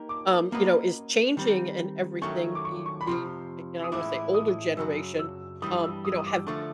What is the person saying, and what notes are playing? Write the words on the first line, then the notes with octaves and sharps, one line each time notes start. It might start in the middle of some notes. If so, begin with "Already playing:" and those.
um, you know, is changing and everything, the the and I wanna say older generation, um, you know, have
Already playing: A#3 D#4 G4 A#4
D6
A#3 C#4 F#4 B4 D#5
D#3 G3 C4
D#3 F#3 A3 C#4 C#6
D6
C#6
C#6
B5
F2 C3 F3 C6
D#6
A2 E3 G#3 C#4 E4 D6
D#6
F#2 C#3 F#3 E6
E6
G2 E3 G3 D#6
E6
D#6
E6
D#6
D6
D3 F3 A3 D4 C#6